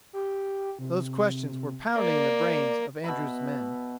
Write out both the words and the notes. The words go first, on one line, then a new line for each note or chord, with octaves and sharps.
Those questions were pounding in the brains of Andrews' men.
G4
C3
A#3 D5
B2 E5 B5